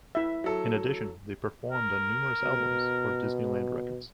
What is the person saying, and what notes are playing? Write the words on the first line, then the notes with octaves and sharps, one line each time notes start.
In addition, they performed on numerous albums for Disneyland Records.
E4 E5
F#3 A4
A#4
B2